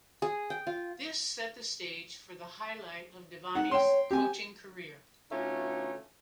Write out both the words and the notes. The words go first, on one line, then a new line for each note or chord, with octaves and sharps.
This set the stage for the highlight of Devaney's coaching career.
G#4
G5
F4
D#4 F#5
C#5 G5 C6
C4 G4 G#5
B2 D3 A3 C#4 D#4 F4